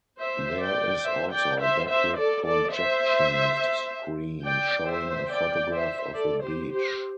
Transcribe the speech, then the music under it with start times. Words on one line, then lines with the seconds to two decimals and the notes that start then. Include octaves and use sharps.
There is also a back-lit projection screen showing a photograph of a beach.
0.19 C5 E5
0.62 D5 G5
1.05 C5 E5
1.33 D5 G5
1.61 C5 E5
1.89 C5 E5
2.18 A4 D5
2.46 A4 D5
2.74 C5 E5
4.44 D5 G5
4.87 C5 E5
5.29 D5 G5
5.72 C5 E5
6.14 A4 D5
6.43 G4 C5
6.71 G4 C5